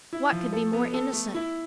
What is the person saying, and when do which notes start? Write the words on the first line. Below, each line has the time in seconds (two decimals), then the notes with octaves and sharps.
What could be more innocent?
0.13 E4
0.32 F3
0.53 A4
0.73 B3
0.94 A4
1.13 A3
1.35 E4